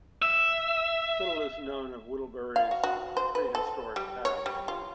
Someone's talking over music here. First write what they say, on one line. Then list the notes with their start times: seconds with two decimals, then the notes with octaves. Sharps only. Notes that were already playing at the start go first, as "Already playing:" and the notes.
Little is known of Whittlebury's pre-historic past.
0.22 E5
2.56 F5
2.71 F#4
2.84 F#4
3.17 C5
3.35 B4
3.55 A4
3.96 G3
4.25 C#5
4.46 G3
4.68 F4